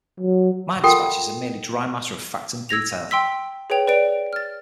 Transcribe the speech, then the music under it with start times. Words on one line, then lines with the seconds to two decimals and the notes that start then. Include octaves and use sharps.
My dispatches are merely dry matter of fact and detail.
0.20 F#3
0.83 F4 A4 A#4 F#5 G5 C6
2.69 E6 G#6 A#6 F7
3.11 G5 C6 E6 B6
3.70 G#4 B4 C#5 G5 F7
3.87 B4 D5 D7
4.33 F6 A6